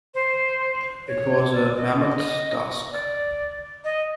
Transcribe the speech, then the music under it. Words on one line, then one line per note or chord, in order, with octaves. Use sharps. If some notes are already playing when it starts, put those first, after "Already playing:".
It was a mammoth task.
C5
C#5
D5
D#5
D#5
D5
D#5